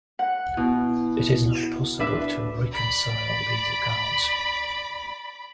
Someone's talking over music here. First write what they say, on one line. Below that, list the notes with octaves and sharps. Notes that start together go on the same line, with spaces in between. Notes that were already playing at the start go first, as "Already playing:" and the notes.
It is not possible to reconcile these accounts.
F#5 F#6
B2 E4
D4 B4 E5
D5 B5